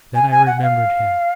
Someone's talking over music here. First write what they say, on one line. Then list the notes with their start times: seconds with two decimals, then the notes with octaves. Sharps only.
Then I remembered him.
0.15 G#5
0.31 G#5
0.47 F#5
0.63 F5